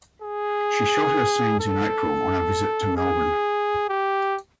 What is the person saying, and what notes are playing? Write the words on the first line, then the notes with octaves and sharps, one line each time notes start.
She shot her scenes in April on a visit to Melbourne.
G#4
A4
G#4
G4